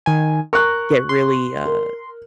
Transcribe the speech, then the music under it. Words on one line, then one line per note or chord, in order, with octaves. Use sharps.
get really, uh,
D#3 G#5
A#4 C#6 F#6
C6
A#4